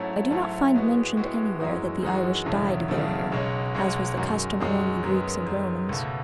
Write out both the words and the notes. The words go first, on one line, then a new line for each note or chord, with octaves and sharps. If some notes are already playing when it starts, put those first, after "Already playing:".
I do not find mentioned anywhere that the Irish dyed their hair, as was the custom among the Greeks and Romans.
Already playing: G#2 F#3 A3 C#4 E4
G#2 F#3 A3 C#4 E4
A2 G#3 B3 F#4
A2 G#3 B3 F#4
F#2 E3 G#3 D#4 F#4
F#2 E3 G#3 D#4 F#4
E1 E2 C#3 F#3 A3
E1 E2 C#3 F#3 A3
B1 B2 G#3 C#4
B1 B2 G#3 C#4
F#2 D#3 G#3 C#4 F#4
F#2 D#3 G#3 C#4 F#4
F#2 D#3 G#3 B3
F#2 D#3 G#3 B3
C#2 B2 A3